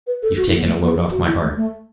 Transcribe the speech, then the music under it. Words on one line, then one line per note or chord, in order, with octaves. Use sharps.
You've taken a load off my heart....
B4
A4
F#4
E4
B3
A3
B3
F#4
E4
A3
A3